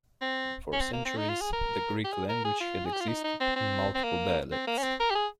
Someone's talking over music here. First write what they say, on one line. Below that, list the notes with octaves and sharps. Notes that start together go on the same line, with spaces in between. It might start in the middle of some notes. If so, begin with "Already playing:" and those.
For centuries, the Greek language had existed in multiple dialects.
C4
C#4
C4
A#3
C4
D#4
F4
G#4
A#4
G4
G#4
A#4
G#4
F4
G#4
G4
F4
D#4
D#4
C4
C4
C4
A#3
C4
A#3
C#4
C4
A#4
G4
G#4